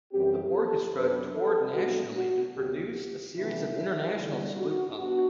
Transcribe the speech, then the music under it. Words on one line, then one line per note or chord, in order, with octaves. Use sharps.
The orchestra toured nationally and produced a series of international salute concerts.
F#2 E3 G3 C4 G4
A4
F#2 F#3 B3 D4 B4
A4
A2 G3 B3 D4 F#4
F#4
D2 C3 F#3 B3 G4
C3 E3 G3 B3 D4 E4
E2 D3 G3
F#4
B3 D4 F#4